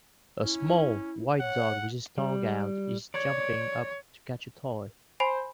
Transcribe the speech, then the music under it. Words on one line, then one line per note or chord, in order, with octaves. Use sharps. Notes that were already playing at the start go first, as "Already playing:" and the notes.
A small, white dog with his tongue out is jumping up to catch a toy.
C#4 E4
C#5 F#5
G3
C#5 D5
C5 G#5 B5 C7